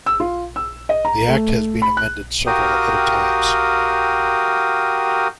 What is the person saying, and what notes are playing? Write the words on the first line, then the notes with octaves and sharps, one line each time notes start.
The Act has been amended several other times.
E6
F4
E6
D#5
A#5
A3
B5
F#6
F#4 G4 A#4 F5 G5 D#6